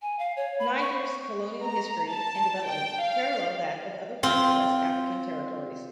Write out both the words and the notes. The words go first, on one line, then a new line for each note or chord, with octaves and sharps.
Niger's colonial history and development parallel that of other French West African territories.
G#5
F5
C#5
B5
C#6
A#5
A5
G5
F5
C4 F4